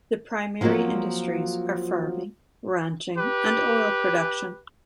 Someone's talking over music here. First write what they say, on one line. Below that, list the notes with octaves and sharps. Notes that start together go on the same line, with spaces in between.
The primary industries are farming, ranching and oil production.
F3 F#3 A#3 C4 F#4
G4 B4